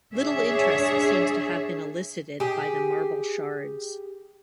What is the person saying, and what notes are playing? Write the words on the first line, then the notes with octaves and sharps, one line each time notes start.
Little interest seems to have been elicited by the marble shards.
D4 G#4 C#5 E5
G4 G#4